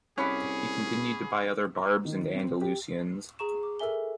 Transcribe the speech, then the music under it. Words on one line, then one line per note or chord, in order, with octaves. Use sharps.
He continued to buy other Barbs and Andalusians.
C2 C#4 G#4 F#5 B5 D6
A#5
D#3
C4
G4
G#4 A#5 C#6 E7
D6
A4 A#4 E5 G#5 G7